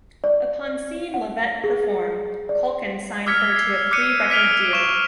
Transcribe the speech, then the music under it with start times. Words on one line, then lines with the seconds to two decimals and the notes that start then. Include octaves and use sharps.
Upon seeing LaVette perform, Kaulkin signed her to a three-record deal.
0.24 D5
1.14 F#5
1.64 G#4
2.49 D5
3.26 D6 E6 F6 G#6 B6 C#7
3.56 C7
3.91 D6 F#6 C#7 D#7
4.30 F6 B6 D7 F7 G7
4.73 C#6 E7